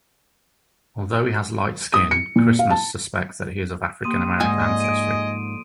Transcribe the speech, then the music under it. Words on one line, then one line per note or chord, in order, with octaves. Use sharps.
Although he has light skin, Christmas suspects that he is of African American ancestry.
D#6
C#7
A#2
F5
A5
A#3 G4 C6 D#6 D#7
D2 G#2 F3 G#4 D#5 G#5 G6
D7 D#7